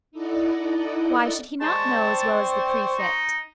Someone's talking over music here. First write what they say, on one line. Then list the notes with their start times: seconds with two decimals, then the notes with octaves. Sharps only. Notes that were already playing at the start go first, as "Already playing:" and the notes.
'Why should he not know as well as the prefect?
0.12 D#4 E4 A4 D5 D#5 F#5
1.61 G#3 C5 D5 A5 C#6
1.93 C4
2.98 D#4